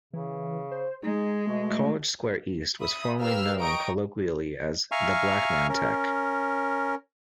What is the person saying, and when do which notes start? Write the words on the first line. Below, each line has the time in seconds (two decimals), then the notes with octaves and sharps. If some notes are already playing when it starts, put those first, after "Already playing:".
College Square East was formally known colloquially as the 'Black Man Tech'.
0.13 C#3 E3
0.71 C5
1.03 G#3 D#4 G#4
1.47 B2 A3
2.80 E5 B5 D#6
3.19 G4 A#4 B4 F5 E6 F6
3.60 D#5 G5 A#5 C#6 D#6 D7
4.92 E5 F5 G#5 A#5 C#6 F6
5.69 C#4 A#4